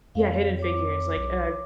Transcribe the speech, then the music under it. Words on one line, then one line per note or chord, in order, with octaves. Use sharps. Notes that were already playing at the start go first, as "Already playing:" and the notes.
Yeah, Hidden Figures, like, uh,
F2 C#5 F5
C#5 D6
B1